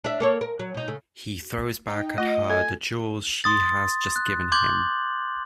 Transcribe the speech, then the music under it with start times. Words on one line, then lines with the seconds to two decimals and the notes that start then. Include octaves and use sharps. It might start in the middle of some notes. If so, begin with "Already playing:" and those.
He throws back at her the jewels she has just given him.
0.04 D4 E5
0.20 A#3 A4 C#5
0.41 A#4
0.59 F#3
0.74 B2 D#4
0.88 C#3 A3
1.88 D#4 G5
2.18 A3 F4 D#5
2.50 A4 G#5
3.44 C6 D#6 A6
4.16 F#6
4.52 C6 D6 G6 G#6 F#7